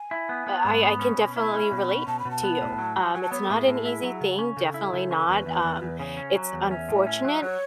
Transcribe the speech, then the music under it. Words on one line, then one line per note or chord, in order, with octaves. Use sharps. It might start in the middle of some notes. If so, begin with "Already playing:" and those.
uh, I I can definitely relate to you. Um, it's not an easy thing, definitely not. Um, it's unfortunate
Already playing: G#5
E4
B3
B3
G#2 B5 C#6
B3
C#4
B2
E4 B5
C#4
B2
C#4
B2 A5
B5
B2
A5
B3
A2
F#3
F#3
F#3 G#5
A5
B3 C#5
A4
A2 G#4
A2
E4
F#3
C#3
C#4
C#3 A4
E4
C#3
C#4
E2 B4
E2
E2
E2
C#3 C#5
C#4
F#3
E2
C#4 E5
A2
C#4
F#3
F#3 C#5